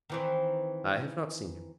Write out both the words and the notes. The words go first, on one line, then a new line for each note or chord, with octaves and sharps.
"I have not seen him."
D#3 E3 C4